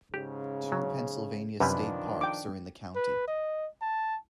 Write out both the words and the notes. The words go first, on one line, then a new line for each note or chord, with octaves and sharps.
Two Pennsylvania state parks are in the county.
G#2 C#3 G4
F#3 C#4
F#2 C3 D#3 F3 G3 D4 B4 G#5
G5 D6
B4
D#5
A5